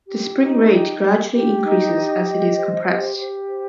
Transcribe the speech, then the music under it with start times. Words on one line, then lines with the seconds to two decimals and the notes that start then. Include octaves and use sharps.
The spring rate gradually increases as it is compressed.
0.07 G4
0.39 D#4
0.70 G4
1.00 G4
1.32 G4
1.63 D#4
1.94 G4
2.24 D#5
2.56 C5
2.87 G4
3.18 G4
3.49 C5